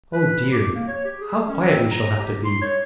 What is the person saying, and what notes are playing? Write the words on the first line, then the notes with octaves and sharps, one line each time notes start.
Oh dear, how quiet we shall have to be!
B4
D6
A#3
C#5
G4
G#4
C#4
C4
A#5
G4
C6
C#5